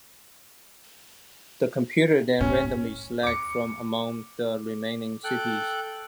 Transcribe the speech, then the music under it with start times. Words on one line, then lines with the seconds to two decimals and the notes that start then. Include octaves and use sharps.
The computer then randomly selects from among the remaining cities.
2.41 A2 C#4
3.23 D6 C#7
5.24 A4 G5 F#6